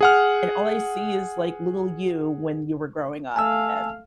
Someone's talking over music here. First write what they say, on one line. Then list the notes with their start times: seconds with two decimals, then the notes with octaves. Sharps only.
and all I see is, like, little you when you were growing up, and
0.01 G#4 F#5 F6
3.36 A3 F5 G#5 A5 E6